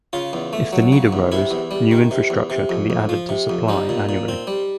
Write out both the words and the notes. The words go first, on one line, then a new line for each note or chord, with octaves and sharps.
If the need arose new infrastructure can be added to supply annually.
C#3 F4
E2
A3
F#3
C#3
E2
C3 E4
E2
G3
D#3
C3
E2
C3
F2
F2
F3
C3
F2
G3 D#4
A#2
A#2
C4
G3